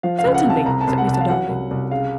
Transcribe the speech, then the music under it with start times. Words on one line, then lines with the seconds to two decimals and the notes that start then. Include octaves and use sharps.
"Certainly," said Mr. Darling.
0.03 F3 F5
0.19 F5
0.25 C#2
0.34 F#5
0.45 C3 A5
0.65 C2 A#5
0.81 A5
0.87 C2
0.98 F#5
1.07 C2
1.13 A5
1.21 F5
1.29 F#3 F#5
1.49 C2
1.71 C2
1.91 C#3 F5